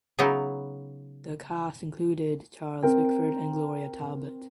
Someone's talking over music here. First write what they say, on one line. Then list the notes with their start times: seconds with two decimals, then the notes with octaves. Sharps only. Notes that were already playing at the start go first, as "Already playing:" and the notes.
The cast included Charles Bickford and Gloria Talbott.
0.19 C#3 F#3 B3 D#4 E4
2.83 C4 A#4 G5